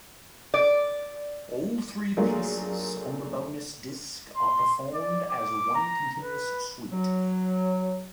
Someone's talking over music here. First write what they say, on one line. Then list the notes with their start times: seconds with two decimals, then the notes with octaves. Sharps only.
All three pieces on the bonus disc are performed as one continuous suite.
0.54 D5
2.17 F#3 A3 A#3 D4 F4 G#4
4.36 C6
4.94 D5
5.30 D6
5.75 A#5
6.22 B4
6.92 F#3